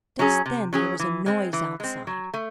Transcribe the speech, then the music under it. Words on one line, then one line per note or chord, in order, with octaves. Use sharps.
Just then there was a noise outside.
F#3 C#4 G#4
C3
F#3 C#4 G#4
E3
G#3 C4
E3
G#3 C4
F#3
A3